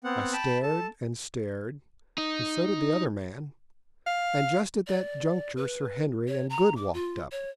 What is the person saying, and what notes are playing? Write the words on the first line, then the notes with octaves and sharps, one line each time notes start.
I stared and stared, and so did the other man, and just at that juncture Sir Henry and Good walked up.
B3 C4 F#5
G5 A5 B5
A4 A5
D#4
F5
D5
B4
C#5
A#5
D6
F4
C#5